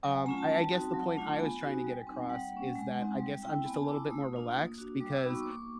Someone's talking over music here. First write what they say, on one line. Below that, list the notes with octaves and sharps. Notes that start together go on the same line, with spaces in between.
Um, I I guess the point I was trying to get across is that I guess I'm just a little bit more relaxed, because
F#3 G#5
A3 C#4 F4 A#5
A5
G3 A5
C4 D#4 F#4
F#3
A3 D4 F4
B3 G#5
D#4 F#4
G3
C4 D#4
G3 F#5
A#3 C#4
G#3
C4 D#4
G3
C4 E4 G5
B3 G#5
A5
E4 D6
E6
A3 D#6
D4 F4
A#3
D4 F#4
G3 D6
E6
B3 D#4 F#4 D#6
C#6
A#3 D6
C#6